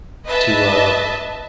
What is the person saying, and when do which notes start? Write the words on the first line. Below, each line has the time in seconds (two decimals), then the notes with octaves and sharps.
to, uh,
0.25 B4 D#5 E5 A5